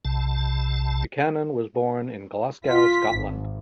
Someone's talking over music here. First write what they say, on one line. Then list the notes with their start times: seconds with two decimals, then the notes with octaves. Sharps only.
Buchanan was born in Glasgow, Scotland.
0.05 B1 C3 A5
2.67 F4 B6
3.14 G#1